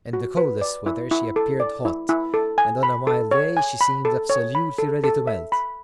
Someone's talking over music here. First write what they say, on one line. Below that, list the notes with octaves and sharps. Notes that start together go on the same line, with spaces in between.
In the coldest weather she appeared hot, and on a mild day she seemed absolutely ready to melt.
F#4
B4
D5
E4
E4
A4
D5
E4
E4
A4
G#5
B5
A4
C#5
G#5
B5
A4
C#5
B5
A4
A4
E5
B5